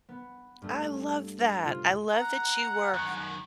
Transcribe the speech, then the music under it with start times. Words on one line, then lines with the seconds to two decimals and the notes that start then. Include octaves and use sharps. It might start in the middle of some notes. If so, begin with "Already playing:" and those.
I love that I love that you were
0.09 B3
0.62 G2 A3
1.65 C3 F4
2.13 F#5 A#5
2.94 F#2 D#3